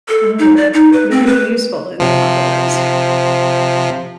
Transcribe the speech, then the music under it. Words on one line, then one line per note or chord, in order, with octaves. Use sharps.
Oh yeah, you're gonna be useful in the apocalypse.
A4
D#4
D5
D#4
B4
C4
B4
C3 F3